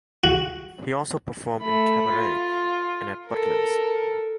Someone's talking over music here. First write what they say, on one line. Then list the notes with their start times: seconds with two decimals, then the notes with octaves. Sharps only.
He also performed in cabaret and at Butlins.
0.24 F#4
1.61 A3 B5
2.10 F4
3.27 A4 A#4